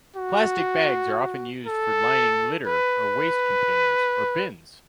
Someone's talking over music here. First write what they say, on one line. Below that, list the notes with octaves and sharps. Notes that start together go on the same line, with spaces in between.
Plastic bags are often used for lining litter or waste containers or bins.
F#4
A4
B4